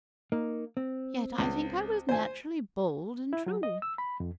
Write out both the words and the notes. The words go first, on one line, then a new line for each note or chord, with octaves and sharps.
Yet I think I was naturally bold and true.
A#3 D#4
C4
C#2
C5 G#5
E4
F#3
D#5
E6
B5
F2